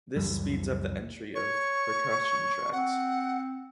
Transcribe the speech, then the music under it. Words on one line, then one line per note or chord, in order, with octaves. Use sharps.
This speeds up the entry of percussion tracks.
C#2 F#2 E3 G3
C#5 C#6
C4 F#5